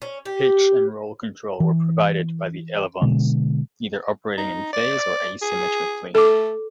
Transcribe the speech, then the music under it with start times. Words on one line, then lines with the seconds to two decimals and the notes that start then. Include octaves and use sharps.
Pitch and roll control were provided by elevons either operating in phase or asymmetrically.
0.02 C#4
0.26 G4
1.60 E3
3.02 B2 D3 G#3
4.38 D#4
4.73 D5
5.42 G#4
6.15 A3 A4 D6